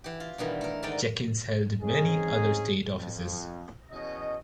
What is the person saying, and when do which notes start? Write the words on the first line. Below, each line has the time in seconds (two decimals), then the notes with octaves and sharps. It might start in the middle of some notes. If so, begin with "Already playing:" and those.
Jenkins held many other state offices.
0.04 E3 G4
0.20 F4
0.38 G2 B2 D#3 E3
0.61 A3 A#4
0.83 G#2 D3 D#3 G#3 D5 G5
1.82 C4 C#4 D#4 G#4
2.91 F2
3.92 E2 B2 C#4 C#5 D#5